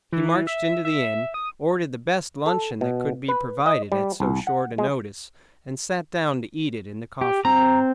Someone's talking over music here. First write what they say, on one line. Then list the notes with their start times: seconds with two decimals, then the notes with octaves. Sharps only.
He marched into the Inn, ordered the best luncheon that could be provided at so short a notice, and sat down to eat it in the coffee-room.
0.12 E3
0.47 E5
0.85 E5
1.34 D#6
2.46 A4
2.81 B2
3.28 B4
3.66 D#5
3.92 G3
4.20 C2
4.47 F#5
4.78 G#3
7.21 G4
7.45 C4 A#5